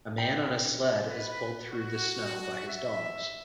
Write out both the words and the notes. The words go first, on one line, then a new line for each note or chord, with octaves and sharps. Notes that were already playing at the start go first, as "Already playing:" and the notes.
A man on a sled is pulled through the snow by his dogs.
G5
B4
F#4
E5